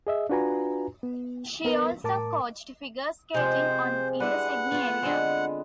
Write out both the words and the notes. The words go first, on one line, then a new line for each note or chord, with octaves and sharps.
She also coached figure skating in the Sydney area.
G#4 D#5 E5
D4 F4 F#4 B4 G#5 A#5
B3
B3 A#4 B4
A2 A#4 A5 D6
C3 F3 G#3 G4 G#4 C5
G3 D4 E4 B4 F#5
B3 F4
D3 G#3 C4